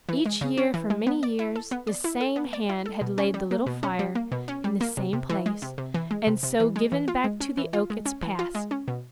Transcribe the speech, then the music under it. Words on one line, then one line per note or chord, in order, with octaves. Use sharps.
Each year, for many years, the same hand had laid the little fire, in the same place, and so given back to the oak its Past.
E3
G#3
C#3
C#4
E3
G#3
B3
D5
E4
A4
B3
D5
E4
A4
B3
D5
E4
A4
B2
C#4
G3
A#3
B2
C#4
G3
A#3
B2
C#4
G3
A#3
C3
C3
E3
G#3
C3
C3
E3
G#3
C3
C3
E3
G#3
E3
F4
G#3
C#4
E3
F4
G#3
C#4
E3
F4
G#3
C#4
B2